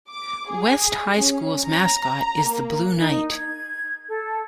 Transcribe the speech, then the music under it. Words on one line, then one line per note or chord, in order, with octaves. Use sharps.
West High School's mascot is the Blue Knight.
D6
G#4
C#4
A#5
A#3
D#4
G#6
A4